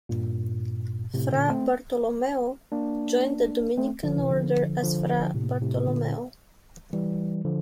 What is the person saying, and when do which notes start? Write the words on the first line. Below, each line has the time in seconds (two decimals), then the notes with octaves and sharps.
Fra Bartolommeo joined the Dominican order as Fra Bartolomeo.
0.09 G2 A#2
1.14 A2 C3
1.32 A#2 D3
1.49 A3 C4
2.72 A#3 D4
3.77 A3 C4
4.04 D3 F3
4.17 C3 E3
4.30 D3 F3
4.82 D3 F3
5.34 A2 C3
5.61 A2 C3
5.87 A#2 D3
6.93 E3 G3
7.45 D3 F3